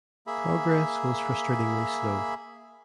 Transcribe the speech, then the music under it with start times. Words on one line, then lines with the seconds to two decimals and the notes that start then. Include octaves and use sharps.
Progress was frustratingly slow.
0.27 A#3 G#4 E5 B5